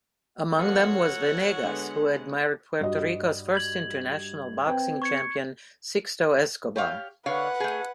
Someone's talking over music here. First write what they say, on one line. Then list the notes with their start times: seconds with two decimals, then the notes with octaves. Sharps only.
Among them was Venegas, who admired Puerto Rico's first international boxing champion, Sixto Escobar.
0.58 F3 B3 F#4 A4 C#5 F5 F#5
1.64 D3 G#3 B3
2.80 G2 F#4 D#5
3.55 G#6 F#7
4.66 C4 B4 G5
5.02 C#6 G#6 C#7
6.76 G4 C#5 F5
7.26 D3 B4 C#5 F5 F#5
7.60 A3 G#4